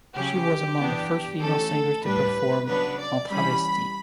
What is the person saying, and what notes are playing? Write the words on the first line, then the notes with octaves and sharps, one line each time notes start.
She was among the first female singers to perform "en travesti".
C#3 F#3 C#4 G4
E3 B3 D4
E3 A3 C#4 A4
A2 G3 D4 B4
C#3 F#3 B3 D4 B4
D5
E3 G3 C#4 B5